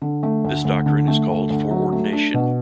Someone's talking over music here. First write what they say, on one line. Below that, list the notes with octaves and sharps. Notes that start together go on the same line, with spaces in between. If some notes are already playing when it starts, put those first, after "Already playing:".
This doctrine is called "foreordination".
D3
A3
D2
D2
D3
A3
D2
D2
F#3
A3
D4
B2